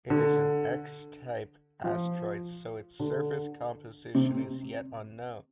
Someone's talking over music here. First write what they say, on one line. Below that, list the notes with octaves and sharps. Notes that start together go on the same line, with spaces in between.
It is an X-type asteroid, so its surface composition is yet unknown.
D3
F3
D3
C3